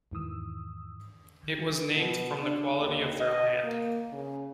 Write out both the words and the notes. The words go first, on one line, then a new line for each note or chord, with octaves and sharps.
It was named from the quality of their land.
E2 G#2 D#3 E3 D#6 E6
B2
D4
D#2
D#5
A#3
C#3